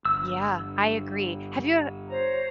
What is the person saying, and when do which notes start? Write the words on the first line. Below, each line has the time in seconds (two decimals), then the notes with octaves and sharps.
Yeah, I agree. Have you ev
0.05 G1 E6
2.09 C5 C#5 A#5